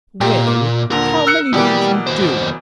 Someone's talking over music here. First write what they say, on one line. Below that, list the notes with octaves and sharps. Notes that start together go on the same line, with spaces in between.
"Well, how many did you do?"
A#2 G4
A#3
D#1 A#2 D3 A#4
E6 F#6 C#7
B2 E3 A#3 G4 D5
D#2 C5